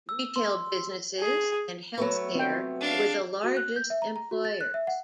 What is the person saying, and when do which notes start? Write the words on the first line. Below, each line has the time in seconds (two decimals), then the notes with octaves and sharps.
Retail businesses and health care were the largest employers.
0.09 E6
0.36 C6
1.20 G#4
1.98 F#3 A3 B3
2.35 C4 G5
2.81 D4 F5
3.44 F#4
3.57 F#6
3.76 G6
3.90 E5
4.02 A#5
4.16 A#5
4.31 F#4
4.45 A6
4.61 F#6
4.74 E5
4.87 F#5